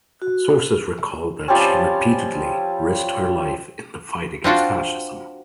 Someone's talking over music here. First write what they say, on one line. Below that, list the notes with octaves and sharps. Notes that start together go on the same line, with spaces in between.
Sources recall that she repeatedly risked her life in the fight against fascism.
F#4
F3 G3 C4 C#4
C4 D4 F4 F#4